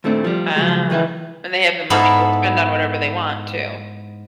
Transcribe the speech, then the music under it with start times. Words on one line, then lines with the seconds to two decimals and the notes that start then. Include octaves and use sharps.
Ah. And they have the money to spend on whatever they want, too.
0.04 D#2 A#2 A3 C4 D4
0.24 F3 G3
0.56 C#3 F3 F#3 G#3
0.90 C#2 E3 B4 E5
1.90 G#2 B3 E4 A4 F5 B5